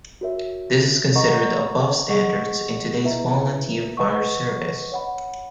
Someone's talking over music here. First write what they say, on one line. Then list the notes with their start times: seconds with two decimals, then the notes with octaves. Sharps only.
This is considered above standards in today's volunteer fire service.
0.21 F#4 A#4 C#5 E5
1.15 A#4 D#5 F#5 A#5 C#6
2.09 G#4 D#5 F#5 C#6
3.04 E4 B4 E5 A#5
3.97 B4 D#5 F#5 C#6
4.92 C#5 F#5 B5